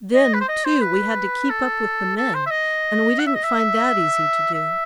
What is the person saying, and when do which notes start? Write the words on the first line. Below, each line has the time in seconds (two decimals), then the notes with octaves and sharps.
Then too, we had to keep up with the men, and we didn't find that easy to do.
0.15 D#5
0.34 B4
0.41 C5
0.49 D#5
0.65 C5
0.82 B4
1.50 A4
2.17 A4
2.34 C5
2.46 E5
2.51 D#5
3.19 F#5
3.27 E5
3.35 D#5
3.44 E5
4.54 E5